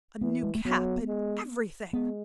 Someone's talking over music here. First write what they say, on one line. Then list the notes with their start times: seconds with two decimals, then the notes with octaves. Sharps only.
A new cap, and everything!'
0.21 E3 B3
0.43 G#3
0.55 A3
0.65 F#3 B3
1.08 G#3
1.93 G#3 B3